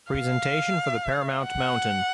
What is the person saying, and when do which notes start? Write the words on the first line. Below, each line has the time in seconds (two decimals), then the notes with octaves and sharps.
Presentation for the Paramount mountain.
0.12 F5
1.44 F#5